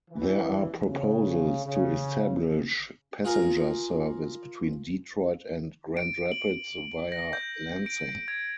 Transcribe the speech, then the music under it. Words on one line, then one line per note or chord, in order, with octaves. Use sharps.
There are proposals to establish passenger service between Detroit and Grand Rapids via Lansing.
E3
C#3
C#3
F4 G#4 A#4
D7
F#7
A#6
G6
D7
G#6